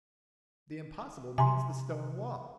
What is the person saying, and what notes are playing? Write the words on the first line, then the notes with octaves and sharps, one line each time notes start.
The impossible means the stone wall!
C3 G#5 A#5 C6